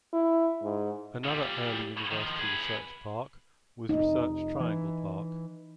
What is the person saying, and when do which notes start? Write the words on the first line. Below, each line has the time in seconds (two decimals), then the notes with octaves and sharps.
Another early university research park was Research Triangle Park.
0.13 E4
0.63 G#2
1.24 A#2 G3
2.11 D#3 F3
2.39 G#4 B4
3.89 F1 D#4
4.60 E3